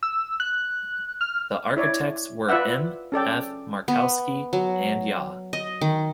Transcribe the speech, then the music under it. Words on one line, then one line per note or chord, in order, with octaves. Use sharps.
The architects were M. F. Markovsky and Ya.
E6
F#6
F6
E4 C#5 D5
F4 B4 D5 E5 F#5
C#4 A4 D5 G5
B3
F#3
D#5
D#3